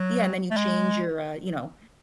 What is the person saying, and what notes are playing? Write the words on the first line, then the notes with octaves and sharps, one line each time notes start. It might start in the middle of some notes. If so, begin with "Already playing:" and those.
Yeah, and then you change your, uh, you know,
Already playing: F#3
A3
G#3